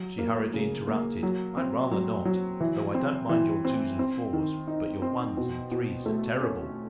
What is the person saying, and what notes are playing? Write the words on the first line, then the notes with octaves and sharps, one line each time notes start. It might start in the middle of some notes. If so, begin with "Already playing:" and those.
She hurriedly interrupted: "I'd rather not; though I don't mind your twos and fours; but your ones and threes are terrible!"
Already playing: F#3
A#3
C#3
A#3
F#3
C4
F#3
F#3
E3
C4
E3
C4
C4
D#3
D#4
C4
B2
B2
A3
C#4